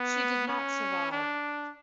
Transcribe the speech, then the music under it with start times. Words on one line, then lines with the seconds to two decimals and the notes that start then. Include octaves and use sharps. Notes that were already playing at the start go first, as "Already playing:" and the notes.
She did not survive.
Already playing: B3
0.48 C#4
1.12 D4